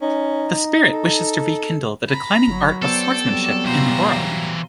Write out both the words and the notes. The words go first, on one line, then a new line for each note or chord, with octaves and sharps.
The spirit wishes to rekindle the declining art of swordsmanship in the world.
C#4 D#4
A4
A#5 B5
G1 F#3
B3 A4 C5 D5 G5
F#3 G3 C4 D5
B2 E3 C5 F5 A#5